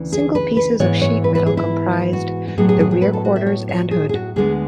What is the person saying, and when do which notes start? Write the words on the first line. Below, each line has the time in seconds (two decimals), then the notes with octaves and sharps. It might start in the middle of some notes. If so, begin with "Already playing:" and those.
Single pieces of sheet metal comprised the rear quarters and hood.
Already playing: D2 C#3 E3
0.12 G#4
0.35 B4
0.57 B4
0.79 G#2 E3 B3 C#5
1.02 C#5
1.24 B4
1.35 B4
1.46 G#4
1.57 E4
2.13 F#4
2.48 F#4
2.58 A2 F#3 B3 G#4
2.69 G#4
2.80 G#4
2.91 G#4
3.02 B4
3.13 A4
3.25 F#4
3.36 E5
3.47 C#5
3.69 C#5
3.91 G#4
4.09 G#4
4.14 F#4
4.36 D2 D3 G#3 B3 G#4